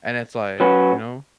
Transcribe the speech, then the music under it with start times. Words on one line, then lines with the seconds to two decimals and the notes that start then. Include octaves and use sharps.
And it's like, you know?
0.60 F#3 C#4 F#4 B4